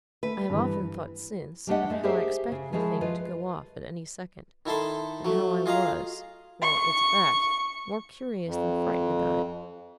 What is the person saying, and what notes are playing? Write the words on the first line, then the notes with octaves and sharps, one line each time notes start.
I have often thought since of how I expected the thing to go off at any second, and how I was--for it's a fact--more curious than frightened about it.
A3 B4
G2 E3
G3 A3 D4 G4 D#5 F#5
G#3 A3
G4 G#4 A#4 C5 E5
C#3 F#4
F3 G#3 E4 F#4 G#4 A#4
F4 B4 D#5
D#3 E4 A4 A5 C6
F#3 A3
F4 G#4 D#5 F5 A#5
C#6
F2